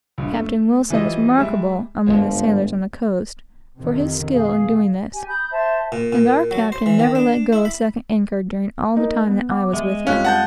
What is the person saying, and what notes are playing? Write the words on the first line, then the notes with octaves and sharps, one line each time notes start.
Captain Wilson was remarkable, among the sailors on the coast, for his skill in doing this; and our captain never let go a second anchor during all the time that I was with him.
A#1 G2
A3
E3 F3 G3 E4 D#5
G3 G#3 E5
G1 D#2 G#2 F3 G#3
F2 C3 D#3
B2 G#4 F5
G4 G#5
B5 D#6 G6
C5 E5 A5
A#2
A#2
F#3
C5
E3
D#3
D4
E4
B5
A#3 D#4
B3
F#5 D6
G#3 E5
F2 G3 C#4 F4 F5 F#6
F#5 A5 G6